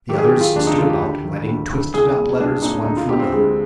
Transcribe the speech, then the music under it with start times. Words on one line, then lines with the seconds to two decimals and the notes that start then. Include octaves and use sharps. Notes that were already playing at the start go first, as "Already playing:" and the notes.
The others stood about, lighting twisted up letters one from another.
0.09 D#3 G4
0.18 G#4
0.24 G4
0.32 D#3
0.41 F4
0.55 D#2 D4
0.67 D#4
0.78 D#3 F4
0.90 G4
1.02 D2
1.25 D#3
1.48 D2
1.70 D2
1.94 C2 G#4
2.16 A#2
2.40 C2 D4
2.62 A#2 D#4
2.85 D2 D#4
2.97 F4
3.09 D2 G4
3.19 C4
3.32 D2 G#3